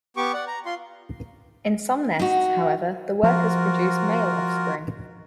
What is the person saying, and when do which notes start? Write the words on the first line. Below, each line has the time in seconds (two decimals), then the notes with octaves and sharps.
In some nests, however, the workers produce male offspring.
0.17 B3 G4 C#6 D6
0.33 D5 F#5
0.48 A#5
0.66 F4 C6
2.19 D#4 F#4
3.23 F3 F4 F#4 A#4